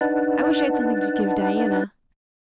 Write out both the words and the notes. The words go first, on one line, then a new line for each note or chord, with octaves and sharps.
I wish I had something to give Diana.
D4 D#4 B4 F#5 A5